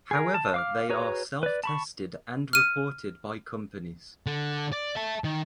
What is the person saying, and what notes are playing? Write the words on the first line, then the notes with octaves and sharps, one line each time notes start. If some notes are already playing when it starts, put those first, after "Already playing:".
However they are self tested and reported by companies.
G#4 A#4
A5
F5 D6 F6
F#4 G#4 B4 C#5 A#5
B4 D5
A5 B5 C#6
F6 D#7
D3
D5
E5 A5
D#3